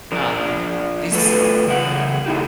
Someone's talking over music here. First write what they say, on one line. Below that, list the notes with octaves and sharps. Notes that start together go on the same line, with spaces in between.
um, these
F3 D4 A#4
A3 F4 F#4 A4 B4
E2 C#3 A#4 E5 F#5
A3 D#4 E4 G4